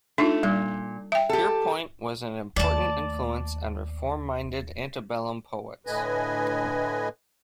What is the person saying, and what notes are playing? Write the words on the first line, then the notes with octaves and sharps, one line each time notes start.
Pierpont was an important influence on reform-minded antebellum poets.
A3 D4 D#4 F4
A#2 G3
E5 G5
G4 A4
D#2 A3 D5 A5
A2 D3 B4 D#5 G#5